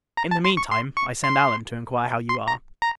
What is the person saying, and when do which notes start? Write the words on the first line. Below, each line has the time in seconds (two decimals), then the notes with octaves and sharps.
In the mean time, I send Allen to inquire how you are.
0.17 A#5
0.31 A5
0.45 C6
0.57 C#6
0.71 C6
0.97 C#6
1.24 C6
2.29 C6
2.48 A#5
2.82 A#5